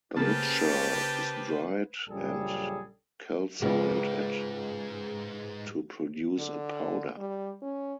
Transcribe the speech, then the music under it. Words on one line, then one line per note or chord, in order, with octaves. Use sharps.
The mixture is dried and calcined at to produce a powder.
C#3 A#3 G4 B4 C5 A5
A#1 F#2 C#3 G3 G#4 A4
C#2 G#2 G#4 B4
D3
G3
C#4